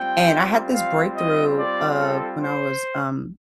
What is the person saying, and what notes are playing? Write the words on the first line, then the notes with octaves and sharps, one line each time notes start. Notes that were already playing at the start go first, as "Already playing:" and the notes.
And I had this breakthrough of when I was, um
Already playing: G3 C4 F4 G5
F5
D#5
D5
A4
C5